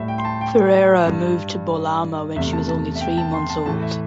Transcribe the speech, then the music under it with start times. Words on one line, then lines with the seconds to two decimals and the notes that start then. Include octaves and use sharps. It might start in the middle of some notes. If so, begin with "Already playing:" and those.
Ferreira moved to Bolama when she was only three months old.
Already playing: A2 G3 E5
0.08 G5
0.18 C6
0.25 A5
0.41 G5
1.06 G2 G3
2.36 E2 C3 A3 E5
2.53 A5
2.69 A5
2.95 E5
3.01 G5
3.17 A5
3.34 C6
3.50 A5
3.66 A2 E3 A3 A5
3.82 E5